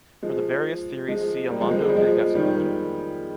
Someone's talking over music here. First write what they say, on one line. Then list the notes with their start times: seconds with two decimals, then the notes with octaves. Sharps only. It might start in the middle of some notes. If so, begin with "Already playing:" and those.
For the various theories see Amando de Gascuña.
0.23 F3 G#3
1.08 F3 G#3
1.50 G3 A#3
1.61 F3 G#3
1.71 F3 G#3
1.82 G#3
1.89 G3
1.96 F3 G#3
2.35 D#3 G3